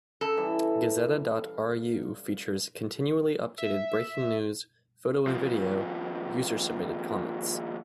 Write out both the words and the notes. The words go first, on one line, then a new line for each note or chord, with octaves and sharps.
Gazeta dot ru features continually updated breaking news, photo and video, user-submitted comments.
C#3 A4 A#5
E3 G3
F5
E5
D#2 F3